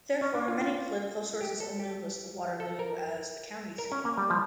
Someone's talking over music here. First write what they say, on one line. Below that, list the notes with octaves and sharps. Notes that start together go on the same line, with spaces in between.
Therefore, many political sources only list Waterloo as the county seat.
C#4
D4
F4
F4
G4
A4
G4
A4
A#4
A#4
C#4
A#3
G3
F3